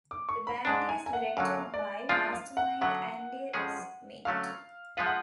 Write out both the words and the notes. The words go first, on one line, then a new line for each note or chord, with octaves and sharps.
The band is directed by Mastermind Andy Schmidt.
D6
C#6
B5
G#2 G#3 D4 A5
G#5
G#5
F#5
F#2 D3 F#3 F5
D5
F3 G#3 D4 F4 B4 F5
F5
F#5
D3 F#3 B3 F#5
F2 F3 G#3 C#4 G#4
D3 F#3 A3 C#4 F5
F3 G#3 B3 F4 B4 F5
F#5